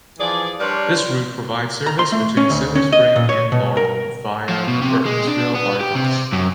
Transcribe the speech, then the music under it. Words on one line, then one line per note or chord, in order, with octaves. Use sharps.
This route provides service between Silver Spring and Laurel via Burtonsville by bus.
E3 F3 G#4 D5
G3 D4 A#4 B4 C#5 C6
A#5
C6
A3
C#4
D2
C#4
D#5
A#2
C#5
B2
A#4
F3
B2
C3
G#3
D4
B3
G4
C3
F#2